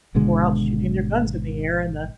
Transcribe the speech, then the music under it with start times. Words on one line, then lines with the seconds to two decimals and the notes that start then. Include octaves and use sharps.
were out shooting their guns in the air, and the
0.15 G#1 B2 D3 G#3